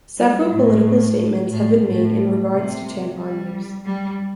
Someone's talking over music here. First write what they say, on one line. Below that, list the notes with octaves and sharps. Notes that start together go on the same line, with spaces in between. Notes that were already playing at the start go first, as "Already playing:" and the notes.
Several political statements have been made in regards to tampon use.
G3
A2
A2
A2
C3
G3
G3